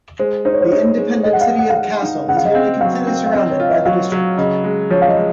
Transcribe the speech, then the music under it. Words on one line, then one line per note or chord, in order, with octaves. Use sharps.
The independent city of Kassel is nearly completely surrounded by the district.
G#3 C5
D#4 C5
C#5
C5
D#4 C#5
G#3
G#3 D#5
F#5
F5
G#3
F#5
F5
G#3 F#5
D#4
C#3 F#5
F5
D#5
C4 F5
F#3 F5
C4
F5
C4 D#5
C#5
F4
D#5
F#3 F5
F#3
C#3 D#5
G#3
F3 C#5
F5
D#5
G#3